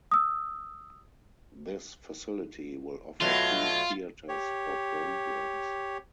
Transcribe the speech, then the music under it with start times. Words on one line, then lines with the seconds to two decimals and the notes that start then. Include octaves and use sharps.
This facility will offer two theaters for programs.
0.12 D#6 E6
3.21 B2 F#3 A3 F4
4.29 G4 C#5